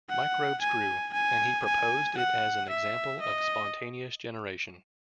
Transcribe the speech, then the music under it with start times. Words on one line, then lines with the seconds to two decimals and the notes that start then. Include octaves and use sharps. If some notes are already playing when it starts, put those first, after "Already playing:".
Microbes grew, and he proposed it as an example of spontaneous generation.
0.09 F#5
0.61 G#5
1.13 G#5
1.65 G#5
2.17 F#5
2.69 E5
3.21 D#5